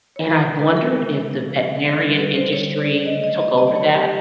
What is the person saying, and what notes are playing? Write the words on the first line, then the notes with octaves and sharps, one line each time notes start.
And I've wondered if the veterinarian industry took over that?
C#5
B2 G#3
B4
A#4
C#3 F3 G#3
C#3 F3 G#3
D3 G3 A4
B4
C5
D3 G3 C#5
D5
C#3 F#3 A3 D#5
D#5
D#5
C#3 F#3 A3 D#5
D5
C#5
G4